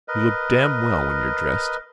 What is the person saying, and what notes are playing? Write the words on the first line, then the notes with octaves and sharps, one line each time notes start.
You look damn well when you're dressed.
A#4 B4 D#5